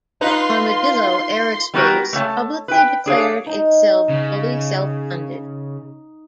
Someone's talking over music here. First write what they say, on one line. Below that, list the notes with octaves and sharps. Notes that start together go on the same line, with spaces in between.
Armadillo Aerospace publicly declared itself fully self-funded.
D#4 F4 B4 C6
G3 B3 D#4 F#4 G4 A#4
A3 C#5 F#5 A5
B4 G5
D4 G#4 C#5 F5
D#4 A#5
C#3